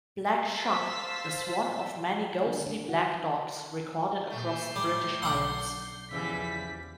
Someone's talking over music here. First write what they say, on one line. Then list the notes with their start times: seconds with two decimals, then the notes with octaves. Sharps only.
Black Shuck is one of many ghostly black dogs recorded across the British Isles.
0.51 C5 F5 A5 E6 B6
2.46 D3
2.66 D3
2.89 F#4
4.30 A#2 A3 G6 C7
4.76 A2 G3
5.22 B1 D4 F#5
6.11 E2 C#3 E3 F3 G3 B6